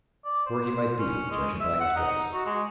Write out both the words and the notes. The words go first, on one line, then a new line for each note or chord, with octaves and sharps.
Poor he might be, judging by his dress.
D5
C5
C#4
G#3
E5
F#5
D#4
F#4
G#3